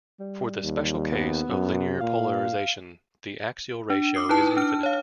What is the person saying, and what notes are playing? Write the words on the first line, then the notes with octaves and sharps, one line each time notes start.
For the special case of linear polarization, the axial ratio is infinite.
G3
D#2
B3
F#2
A#2 F5
D4
D6 D#6 C7
D#4 E4 B4 A5
D4 F6
C#5 F5